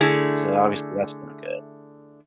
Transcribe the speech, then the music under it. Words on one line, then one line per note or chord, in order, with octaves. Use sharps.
so obviously that's not good.
D3 A3 E4 G#4